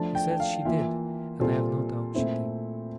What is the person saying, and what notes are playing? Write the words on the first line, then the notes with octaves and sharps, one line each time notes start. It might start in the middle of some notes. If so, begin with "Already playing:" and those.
She said she did, and I have no doubt she did.
Already playing: F3 A3 D4 A5
G5
G5
F5
E3 A#3 F4 E5
A#2 G3 C4 F4 A4
A#2 A3 C4 E4